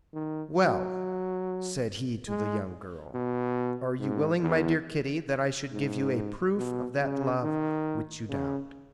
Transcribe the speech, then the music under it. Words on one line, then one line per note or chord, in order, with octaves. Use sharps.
"Well," said he to the young girl, "are you willing, my dear Kitty, that I should give you a proof of that love which you doubt?"
D#3
F#3
G#3
B2
G#2
E2
G#2
B2
C#3
D#3
C#3